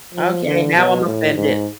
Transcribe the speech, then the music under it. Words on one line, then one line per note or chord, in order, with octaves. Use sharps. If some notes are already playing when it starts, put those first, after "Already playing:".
Okay, now I'm offended.
F3
D3
B2
A2
G#2